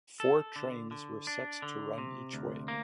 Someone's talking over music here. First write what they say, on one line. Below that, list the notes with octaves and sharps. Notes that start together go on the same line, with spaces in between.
Four trains were set to run each way.
A4
D3
D3
D4
D3
C3
D2
A#3